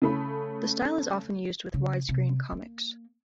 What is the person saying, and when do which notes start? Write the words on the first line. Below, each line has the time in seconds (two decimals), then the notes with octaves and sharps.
The style is often used with widescreen comics.
0.02 C#3 A3 B5
1.74 C#3
2.09 C3
2.52 A#3